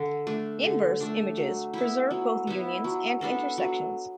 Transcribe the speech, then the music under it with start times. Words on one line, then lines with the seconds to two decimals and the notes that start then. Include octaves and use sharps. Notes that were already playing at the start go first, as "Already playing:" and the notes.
Inverse images preserve both unions and intersections.
Already playing: D3
0.27 A3 D4
0.63 D3
1.00 A3 D4
1.37 F#3
1.74 B3 E4
2.11 F#3
2.47 B3 E4
2.84 F#3
3.21 B3 D4 A4
3.58 F#3